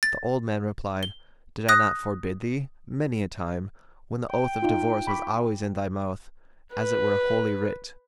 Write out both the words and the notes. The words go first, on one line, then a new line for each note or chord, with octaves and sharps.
The old man replied, "Did I not forbid thee, many a time, when the oath of divorce was always in thy mouth, as it were Holy Writ?"
A6
G7
D#6 F#6 A#6
G5
D#4 F4
B5 C#6 D6
B4